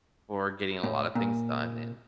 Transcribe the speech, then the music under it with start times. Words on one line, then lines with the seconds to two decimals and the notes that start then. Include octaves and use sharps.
for getting a lotta things done and
0.84 A2
1.15 A#2